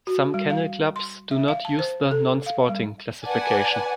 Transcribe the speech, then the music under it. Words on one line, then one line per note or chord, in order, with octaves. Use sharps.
Some kennel clubs do not use the "Non-Sporting" classification.
F#4
G3
F5
C6
E5
F5
A5
C5
A4
F5
G3
B4 D5 F#5 G#5 A5